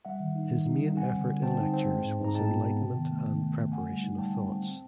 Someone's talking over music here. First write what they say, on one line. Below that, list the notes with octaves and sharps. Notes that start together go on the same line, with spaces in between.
His main effort in lectures was enlightenment and preparation of thoughts.
G3 E5 F#5
D#3
D#4
D#3
D#4
G3
C4 F#5 G#5
D3
D3
C4 G5 A5
D#4
C4
G#3
G#2
G#2 A#5
G#3 G5 A5
B3
B3
C3
D#3
A3
D#3
A3
A3
D3 F#5 G#5
G3
D#4
G3 G5 A5
C4
C4
C4